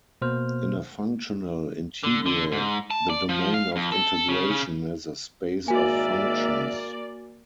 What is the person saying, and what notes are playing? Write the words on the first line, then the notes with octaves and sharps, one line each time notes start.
In a functional integral the domain of integration is a space of functions.
B2 A#3 C5 F6
D3
D3
G#2
A5
D5
F3
F5
F2
A4
C#3
C#3
G#1 A#3 F#4 A#4 D5 E5 G#5